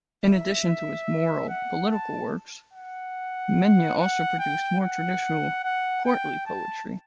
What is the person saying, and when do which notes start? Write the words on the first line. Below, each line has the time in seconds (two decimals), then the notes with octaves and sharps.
In addition to his moral-political works, Mena also produced more traditional courtly poetry.
0.24 E5
1.49 F#5
1.90 A5
2.73 F#5
3.98 F#5
4.39 G5
4.80 F#5
5.63 F#5
6.05 G5
6.46 A5